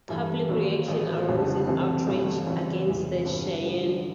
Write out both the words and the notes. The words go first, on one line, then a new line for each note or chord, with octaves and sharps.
Public reaction arose in outrage against the Cheyenne.
G2 E3 A3
G1 F#2 D#3 F#3 A#3
A1 A2 F#3 B3
F#1 F2 D3 F3 G#3
C2 C3 E3 A3 C4
G1 G2 E3 A3
F#2 C#3 E3 G3 C4
E2 C3 E3 G#3
G2 D3 F#3 B3
A1 G2 D3 G3